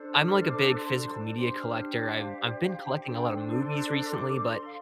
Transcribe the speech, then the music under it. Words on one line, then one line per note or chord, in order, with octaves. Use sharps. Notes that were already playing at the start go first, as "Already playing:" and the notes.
I'm like a big physical media collector. I've I've been collecting a lot of movies recently, but
Already playing: D4 A4 C5
D6
F6
D6
A5
C6
A5
D4 G4 C5 C6
F6
G5
F5
D5
F5
G5
D4 A4 C5 G5
C6
C6
D6
C6
F5